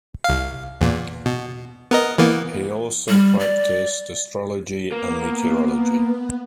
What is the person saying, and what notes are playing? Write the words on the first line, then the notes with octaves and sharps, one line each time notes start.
He also practiced astrology and meteorology.
C2 F5
E2 A#2
B2
B3 A#4 D#5
E3 A#3 B3
G3
D5
A#3 B3